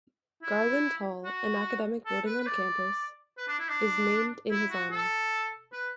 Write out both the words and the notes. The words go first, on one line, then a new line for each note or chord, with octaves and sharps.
Garland Hall, an academic building on campus, is named in his honor.
E4
F#4
A4
B4
B4
D5
B4
D4
E4
D4
E4
F#4
A4
B4